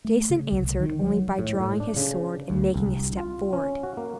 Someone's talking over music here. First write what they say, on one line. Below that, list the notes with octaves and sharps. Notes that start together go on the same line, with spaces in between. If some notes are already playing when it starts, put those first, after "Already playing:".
Jason answered only by drawing his sword, and making a step forward.
A3
C#3
C2
D#3
F#3
A2
A2
D4
C#3
D2
C2
F4
C#4
F#4
A#3